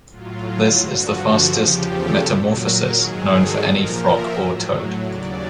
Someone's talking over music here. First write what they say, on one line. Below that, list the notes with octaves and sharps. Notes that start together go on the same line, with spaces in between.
This is the fastest metamorphosis known for any frog or toad.
A2 F#3 F4
G2 D3 F3 F#4
E2 C#3 F3 G4
A4
A#2 F#3
A#4
G#2 D#3 F#3 G#4
A4
A#2 F3 A#4
E5
A2 F#3
D#2 C#3 F#3 D5